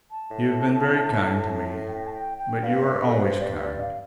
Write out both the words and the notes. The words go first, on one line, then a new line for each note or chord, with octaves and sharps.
You have been very kind to me; but you are always kind.
A5
A2
G5
A5
G5
G5
G2 F5
E5
A4
B4
C5
D5
D5
F5